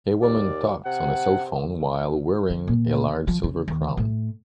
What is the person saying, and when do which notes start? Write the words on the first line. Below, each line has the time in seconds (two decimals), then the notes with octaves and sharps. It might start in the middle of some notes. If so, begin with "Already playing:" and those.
A woman talks on a cellphone while wearing a large silver crown.
0.22 D#2 D5
0.86 C3 F#5
2.50 D3
2.68 A#2
3.27 F3
3.44 C#3
3.68 D#2
3.97 A2